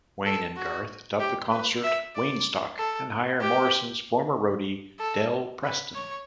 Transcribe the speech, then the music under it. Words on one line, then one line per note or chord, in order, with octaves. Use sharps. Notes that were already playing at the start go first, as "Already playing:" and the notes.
Wayne and Garth dub the concert "Waynestock" and hire Morrison's former roadie, Del Preston.
A4
F#4
G4
B4
E5
D5
A4
G4
A4
B4
C#5